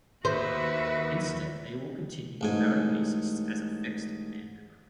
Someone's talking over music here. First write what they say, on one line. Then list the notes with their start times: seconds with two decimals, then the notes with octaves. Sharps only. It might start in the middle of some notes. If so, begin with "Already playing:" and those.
Instead, they will continue without a bassist as a fixed band member.
0.25 D#2 F#4 B4 C5 E5
2.41 A1 G#2 G#5